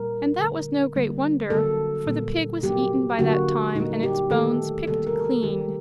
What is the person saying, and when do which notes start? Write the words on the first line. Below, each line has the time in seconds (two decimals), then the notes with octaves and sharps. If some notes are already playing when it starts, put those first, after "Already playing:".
And that was no great wonder, for the pig was eaten by that time and its bones picked clean.
Already playing: A#2 G3 A#3 A#4
0.38 D3 A3
0.95 D3 G3 A#3
1.50 D3 F#3 A#3 A4
2.06 A#2 G3 A#3
2.63 C3 F#3 A#3 G4
3.19 D3 F#3 A#3 F#4
3.75 A#2 G3 A#3 D#4
4.03 G4
4.31 D#3 A3 A4
4.87 C3 D#3 G3 A#3 A4
5.07 A#4
5.25 A4
5.43 D#3 G3 A#3 G4